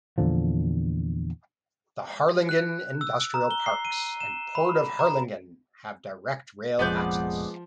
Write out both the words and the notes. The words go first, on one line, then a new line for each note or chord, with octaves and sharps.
The Harlingen Industrial Parks and Port of Harlingen have direct rail access.
E2 A#2 D3 F3
F#6
E6
A#5
G7
C7
D#7
E7
B5
A#5
F1 A#1 F2 F3 G#3 B3 D5 G6